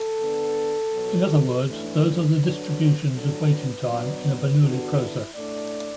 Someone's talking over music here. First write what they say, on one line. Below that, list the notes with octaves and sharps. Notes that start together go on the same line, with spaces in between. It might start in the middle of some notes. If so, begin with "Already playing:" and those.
In other words those are the distributions of waiting time in a Bernoulli process.
Already playing: A4
D3 B3 D4
E2 B2 F#3 B3
A2 E3 A3 D4 B4
D3 F#3 D4
A2 F#3 D4 A4
B4
B2 F#3 B3 D4 D5
B4
E2 D3 B3 D4 F#4
E4
A2 A3 D4 D5